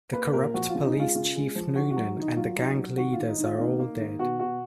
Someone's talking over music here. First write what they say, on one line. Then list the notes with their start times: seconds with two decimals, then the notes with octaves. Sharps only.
The corrupt police chief Noonan and the gang leaders are all dead.
0.13 A#3 B4
0.33 A#2 A#4
0.54 F3 F#4
0.69 F4
0.74 C#3
0.84 D#4
0.95 G#3 F4
1.15 C#3 F4
1.35 G#3
1.55 F3
1.75 D#3 F#4
1.91 F#4
1.96 F#3
2.17 D#3 D#4
2.37 F#3 F4
2.57 F#3 D#4
2.77 F#3
2.97 D#3 F#4
3.13 D#3 F4
3.28 D#4
3.38 D#3
3.43 F4
3.58 A#3 D#4
3.79 A#3
3.99 D#3
4.19 B2 F#4
4.39 B2 F#4